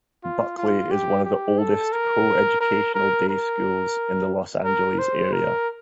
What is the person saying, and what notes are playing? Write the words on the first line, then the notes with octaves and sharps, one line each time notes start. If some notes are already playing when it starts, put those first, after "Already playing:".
Buckley is one of the oldest co-educational day schools in the Los Angeles area.
F4
F4
G4
G4
A4
A#4
A#4
A#4
A#4
A#4
C5
A#4